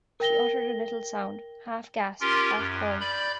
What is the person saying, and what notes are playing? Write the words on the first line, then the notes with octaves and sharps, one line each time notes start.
She uttered a little sound, half gasp, half cry.
A#4 G5 A#6 G7
C#4 F4 G4 A#4 C6
F#2
D5 B5 G6